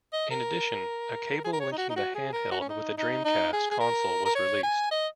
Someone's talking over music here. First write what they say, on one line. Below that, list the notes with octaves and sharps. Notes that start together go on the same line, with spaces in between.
In addition, a cable linking the handheld with a Dreamcast console was released.
D#5
A#4
G#4
A#4
C#5
D#4
F#4
D#4
F#4
G#4
A#4
F#4
C#4
D#4
D#4
D#4
G#4
G#4
A#4
A#4
C#5
G#5
D#5